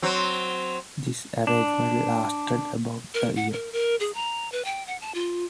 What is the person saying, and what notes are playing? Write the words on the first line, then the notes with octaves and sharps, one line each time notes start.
This arrangement lasted about a year.
F#3 C4
D4
A#4
F#5
A#4
A#4
G#4
A#5
B4
G5
F#5
A5
F4